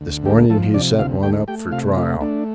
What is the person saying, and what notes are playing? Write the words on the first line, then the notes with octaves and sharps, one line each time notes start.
This morning he sent one up for trial.
D2
G3 A3 G4
F3 A3 A4
C3 D4 D5
D2 F4 F5
A3 G4 G5
A3 G4 G5
C3 F4 F5
A3 F4
A3 D4